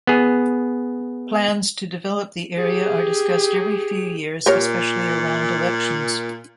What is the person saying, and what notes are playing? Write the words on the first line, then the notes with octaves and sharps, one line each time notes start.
Plans to develop the area are discussed every few years, especially around elections.
B3 G#4
G4 G#4
A#2 G4 A#4 C#5